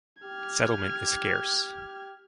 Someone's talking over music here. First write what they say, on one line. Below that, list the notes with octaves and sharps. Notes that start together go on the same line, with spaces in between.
Settlement is scarce.
G4 F6 G#6